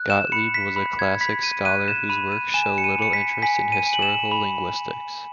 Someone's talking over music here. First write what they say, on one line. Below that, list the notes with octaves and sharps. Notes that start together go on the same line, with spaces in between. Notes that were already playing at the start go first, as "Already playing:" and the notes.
Gottlieb was a classics scholar whose works show little interest in historical linguistics.
Already playing: F#6
E7
B5 C#7
B6
B5
G#6
B5 B6
D#7
F#6 D#7
E7
B5 D#7
D#7
G#5 E7
C#7
D#7
B5 C#7
B6
G#5 B6
D#7
G#5
F#7
E7
B5
B5